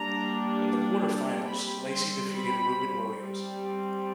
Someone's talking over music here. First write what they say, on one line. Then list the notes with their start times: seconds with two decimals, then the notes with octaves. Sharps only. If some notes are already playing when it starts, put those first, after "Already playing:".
In the quarter-finals, Lacy defeated Rubin Williams.
Already playing: G3 A#3 D4 A#5
1.47 G3 C4 B5
1.90 C6
2.32 B5
3.18 G3 C4